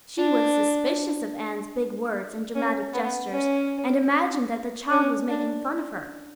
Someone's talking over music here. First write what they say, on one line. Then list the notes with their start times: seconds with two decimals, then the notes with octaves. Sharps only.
She was suspicious of Anne's big words and dramatic gestures and imagined that the child was making fun of her.
0.19 D4
2.55 C#4
2.94 B3
3.33 C#4
4.90 C#4
5.29 D4